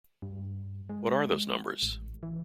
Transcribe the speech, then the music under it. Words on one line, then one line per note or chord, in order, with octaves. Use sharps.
What are those numbers?
G2
G#3
A1
E3